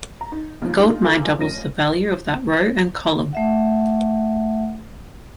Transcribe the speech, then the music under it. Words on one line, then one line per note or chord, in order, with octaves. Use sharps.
The gold mine doubles the value of that row and column.
A#5
D#4
D#2 F3
G#3 D4 D#4 F4
F4 A4 A#4 G#5 D6
F1 F3 C#4 A#6 D#7
A3 E5 F#5